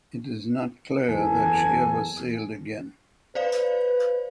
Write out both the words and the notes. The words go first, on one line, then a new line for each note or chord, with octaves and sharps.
It is not clear that she ever sailed again.
F#1 E2 E3 A4 G#5
B4 C5 D5 F5